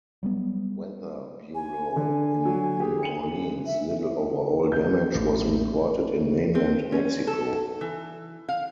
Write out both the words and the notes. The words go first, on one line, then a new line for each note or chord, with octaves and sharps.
Weather Bureau in New Orleans, little overall damage was reported in mainland Mexico.
F#3 G3 B3
G#5
D3 G#5
F#3
G4 G#4
C#7 D#7 F#7
E5
G6
A1
C4
C#4
A4
E3
F5